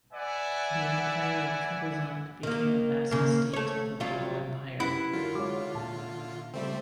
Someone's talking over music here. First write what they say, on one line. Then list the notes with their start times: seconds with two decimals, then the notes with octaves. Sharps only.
The Empire of Trebizond became a vassal state of the Mongol empire.
0.12 B4 D5 E5 F#5 G#5
2.43 D#3 A#3
3.11 C#3 A#3
3.53 A3 C#5
4.00 F#3 G3 F4
4.80 F#2 E4 G4 B4 F#5
5.13 D3 F#3 F4 F#4 A#4
5.35 G#3 F#4 C#5 D6
5.75 A#2 A5
6.54 C#3 G3 A3 C4 C5 E5